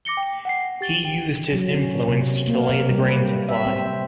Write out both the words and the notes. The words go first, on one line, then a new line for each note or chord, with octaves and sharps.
He used his influence to delay the grain supply.
D6 A#6 C#7 G7
G5
F#5 G5 C7
G4 A6 G7
G5
F#3
C#4
C3
A#3
C3
G3
B4
E5
C4